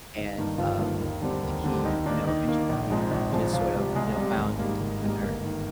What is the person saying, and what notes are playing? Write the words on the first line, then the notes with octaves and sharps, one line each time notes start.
and, um, I think he, you know, eventually just sort of, you know, found himself in her
G1 D#4
G2 D#3 A#3
G1 F3 F4
G2 D#3 A#3
D#2
D3 G3 C4
D#2
D3 G3 C4
D#2 D#4
D#3 A#3 D4
D#2 D#4
D#3 A#3
A#1
G#2 F3 G#3 C4
A#1
G#2 F3 G#3 C4
C2 F3 F4
C3 G3
C2 G#3 G#4
C3 G3
G#1
G#2 G3 A#3
G#1
G#2 G3 A#3
G1 A#3 A#4
D#3